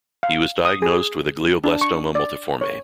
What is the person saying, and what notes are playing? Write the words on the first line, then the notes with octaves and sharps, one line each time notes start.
He was diagnosed with a glioblastoma multiforme.
F5
D#6
G#4
D4
C#6
D5
C#5